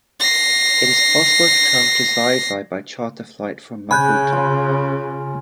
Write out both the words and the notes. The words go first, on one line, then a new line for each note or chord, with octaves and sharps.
It is possible to travel to Xai-Xai by charter flight from Maputo.
A#6 C7
C#3 G#5 B5 F#6 G6
F4